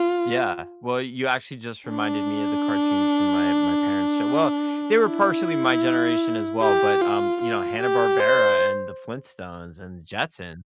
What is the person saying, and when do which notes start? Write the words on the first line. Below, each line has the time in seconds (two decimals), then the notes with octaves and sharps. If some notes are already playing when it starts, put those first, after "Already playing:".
Yeah. Well, you actually just reminded me of the cartoons from my my parent's show. Well, they were partially my generation as well, but, um, you know, Hanna-Barbera, and the Flintstones, and the Jetsons,
Already playing: F4
1.90 D4
5.05 E4
6.62 G4
7.02 F4
7.41 F4
7.80 G4
8.20 C5